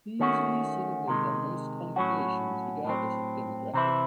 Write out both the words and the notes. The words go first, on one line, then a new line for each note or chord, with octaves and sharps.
Easily singable by most congregations regardless of demographic.
D#3 A3 C#4 F#4
C3 D#3 G#3
A2 F#3 C#4 F#4
A2 F#3 C4
C3 E3 C4 E4